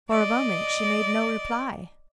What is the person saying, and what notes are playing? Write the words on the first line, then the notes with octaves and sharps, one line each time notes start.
For a moment she made no reply.
D5 D#5